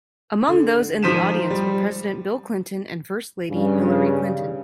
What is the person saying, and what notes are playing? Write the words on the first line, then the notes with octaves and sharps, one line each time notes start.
Among those in the audience were President Bill Clinton and First Lady Hillary Clinton.
D3
G#2 F3 C5 B6 D#7 E7
G3
G2 C#3